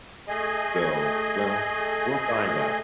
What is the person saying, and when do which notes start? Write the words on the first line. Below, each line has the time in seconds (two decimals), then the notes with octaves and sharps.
So, well, we'll find out.
0.28 A3 G#4 D#5 G#5